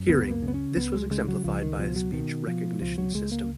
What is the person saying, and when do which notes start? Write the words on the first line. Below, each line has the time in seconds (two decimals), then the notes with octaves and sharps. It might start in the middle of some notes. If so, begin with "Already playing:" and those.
Hearing: this was exemplified by a speech recognition system.
Already playing: F#2
0.09 C#2 B3
0.31 A#3
0.42 C#3
0.48 B3
0.54 C#4
0.77 C#2 B3
0.94 G#3
1.11 C#3 G#3
1.28 F#3
1.44 C#2 F3
1.62 D#3
1.79 B2 F3
1.96 F#3
2.12 B2 D#3
2.47 B2 F3
2.81 C#2 F3
2.98 F#3
3.15 C#2 G#3
3.32 A#3